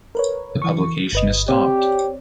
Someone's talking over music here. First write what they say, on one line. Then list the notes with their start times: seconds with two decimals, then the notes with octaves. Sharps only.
The publication is stopped.
0.15 A#4 B4 C#5
0.62 E3 C#6
1.13 G1 B4 D#5
1.48 C4 G4 C#5 D5